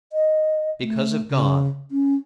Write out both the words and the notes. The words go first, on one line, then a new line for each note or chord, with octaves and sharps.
Because of God.
D#5
A3
C#3
C#4